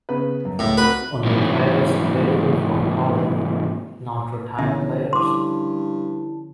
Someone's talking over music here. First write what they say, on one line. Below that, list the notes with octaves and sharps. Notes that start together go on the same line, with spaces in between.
Only players available for call-up, not retired players.
C#3 B3 B4
F#2
C#2 A2
C4 F#4 A#4 B4
G#2 C3 E3 F#3
E2 D3 F3 C#4 E5
G2 E4 A5 C6 D6